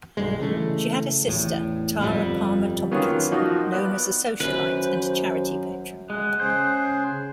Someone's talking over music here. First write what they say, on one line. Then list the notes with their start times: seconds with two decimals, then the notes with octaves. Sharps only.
She had a sister, Tara Palmer-Tomkinson, known as a "socialite" and charity patron.
0.17 B1 G2 G3 G#3
0.40 C#3 E3 A3
1.26 A1 E2 A2
1.99 G1 F2 C3 G3
2.92 D#3 F#3 A#3 B3 C#4 F4
3.32 F3 D#4 F4 F#4
3.72 B3 D5 F#6
4.40 G#1 F#2 B4 C5
6.10 G#3 F#5
6.40 C#3 G#4 C5 G6